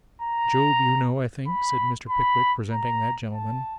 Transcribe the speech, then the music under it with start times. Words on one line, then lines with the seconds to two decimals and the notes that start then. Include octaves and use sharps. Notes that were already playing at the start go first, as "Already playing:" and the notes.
'Job you know, I think?' said Mr. Pickwick, presenting that gentleman.
0.21 A#5
1.47 B5
2.09 B5
2.72 A#5
3.34 A5